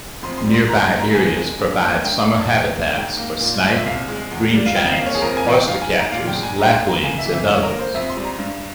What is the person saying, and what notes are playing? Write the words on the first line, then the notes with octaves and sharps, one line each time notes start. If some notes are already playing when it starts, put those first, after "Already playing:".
Nearby areas provide summer habitats for snipe, greenshanks, oystercatchers, lapwings and others.
F2 C6
C6
G3
C6
G#2 A#5
C6
A#3
A#5
C2 G#5
G#3
G2
A#3
G2 G5
A#3
E2
A#3
G#2 G5
A#3
A#2
A#2
E5
C2 F5
G#3
E2
G3
F5
F2 G5
G5
F5
A#3
C#5
G#4
F2 A#4
G#5
E3
G5
G#2 F5
G#5
G#3
A#5
A#2 F5
G5
G#3
G#5
G2 A#5
C6
A#3
A#5
C#2 G#5
E5
E3
E5
G2 C#5
A#4
A#3
C5
F2 E5
C6
G3
A#5
G2